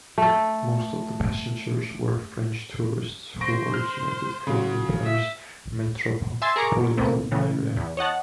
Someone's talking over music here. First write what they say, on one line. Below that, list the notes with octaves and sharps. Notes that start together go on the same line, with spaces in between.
Most of the passengers were French tourists who originated from the Paris metropolitan area.
A3 A4
C5 C#6 A#6 D7
F6
C#3 F#3
E5
E5 G#5 C6 E6 A6
G#4 A#4 A#5 C#6 D6
C#2 B2 A3 A#3 C4
A2 C#3 E3
E2
C#5 D#5 F#5 A5